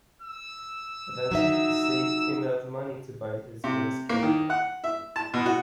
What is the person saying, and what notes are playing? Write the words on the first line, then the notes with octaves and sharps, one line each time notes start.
Eventually, he saved enough money to buy his first camera.
E6
F#3 D#4 E5
C3
A#3
D#3
F#5
E5
A5
B2
F#4